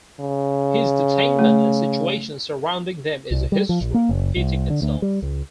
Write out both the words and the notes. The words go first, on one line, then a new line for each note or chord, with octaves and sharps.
His detainment and situations surrounding them is history repeating itself.
C#3
A3
C2
G3
F3
A#1
A#3
F#1
C2
D3
D2
G3
C#2